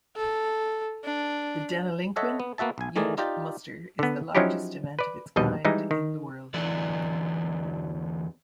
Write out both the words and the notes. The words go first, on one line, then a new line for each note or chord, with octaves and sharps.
The Deniliquin Ute Muster is the largest event of its kind in the world.
A4
D4
A4 C#5 D#5 E5 F#5
B3
A#3 B3 F#4 E5 A5
B1 G#5
D#3 E3 A3 G#4 A#4 D5
D#4 F4 G4 D5
D3 B3
F3 F#3 C#4 D#4 E4 G4
B4 D5
A#1 D#2 B2 G3 D#5
E3 G3 G#3 D#4
D#3
E2 D3 E3 A4 B4 D5